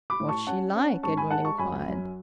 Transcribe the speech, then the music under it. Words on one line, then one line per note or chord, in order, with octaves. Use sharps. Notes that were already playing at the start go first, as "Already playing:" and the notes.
"What's she like?" Edwin inquired.
B5 D6
A2
A5 C#6
C#4 F#5 A5
C#4
G#2 A5 C#6
G#5 B5
G#3 F#5 A5
A5 C#6
F#2 G#5 B5
F#3